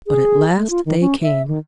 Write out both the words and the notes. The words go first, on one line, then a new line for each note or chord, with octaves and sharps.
But at last they came.
G#4
A3
F4
D#3
C#4
E5
D#3